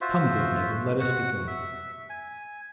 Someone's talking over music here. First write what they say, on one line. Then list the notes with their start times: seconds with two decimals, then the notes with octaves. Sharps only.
Come, good neighbour, let us be going.'
0.01 F4 F#4 C5 E5
1.00 F#4 F#5
1.47 E5
2.10 G#5